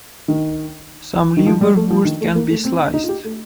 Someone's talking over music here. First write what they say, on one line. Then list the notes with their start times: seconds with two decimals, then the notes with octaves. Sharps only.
Some liverwursts can be sliced.
0.28 D#3
1.37 D#3
1.46 F3
1.61 G3
1.76 A3
1.90 F3
2.05 D#3
2.21 A3
2.35 A#3
2.50 A3
2.65 C4
2.79 D4
2.94 D#4
3.03 F4
3.09 G4
3.24 A3